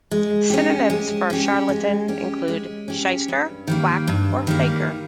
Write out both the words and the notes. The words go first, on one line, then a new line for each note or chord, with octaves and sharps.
Synonyms for "charlatan" include "shyster", "quack", or "faker".
G#3
C#4 G4
G#3
C#4 G4
G#3
C#4 G4
G#3
C#4 G4
G2
D#3 G3 A#3
G2
D#3 G3 A#3